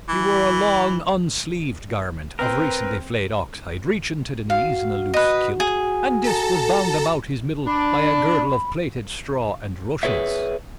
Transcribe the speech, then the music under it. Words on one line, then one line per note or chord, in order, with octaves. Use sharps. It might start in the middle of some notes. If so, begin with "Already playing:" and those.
He wore a long unsleeved garment of recently flayed oxhide reaching to the knees in a loose kilt and this was bound about his middle by a girdle of plaited straw and rushes.
E3
C4 A#4 B4
F#4 F5
B4 D#5
G#4
A4 A5 A#5
D4 B5
G#4 B4 C#5 E5